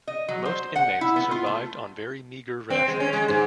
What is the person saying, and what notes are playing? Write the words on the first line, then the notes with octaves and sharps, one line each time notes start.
Most inmates survived on very meagre rations.
D#5
F#3
C5
F#5
E4
B3
F4
A3
C4
G#3
C#4
G#3
G#2